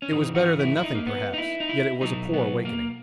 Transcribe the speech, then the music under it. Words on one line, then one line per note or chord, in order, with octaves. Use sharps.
It was better than nothing perhaps, yet it was a poor awakening.
C#4
G#2 E3 D#4
F#4
E4
E4
D#4
A#3
B3
D#4
E4
D#4
E4
B1 B2 F#3 D#4
B3
A#3